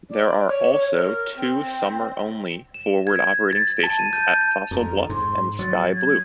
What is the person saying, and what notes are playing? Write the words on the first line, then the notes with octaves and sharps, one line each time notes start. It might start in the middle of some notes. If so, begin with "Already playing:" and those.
There are also two summer-only forward operating stations at Fossil Bluff and Sky Blu.
D5
C#5
A#4
C4
E7
G#6
A6
A5
D#7
G6
F2 A#5
G#2 C6
F#3 A6
G#6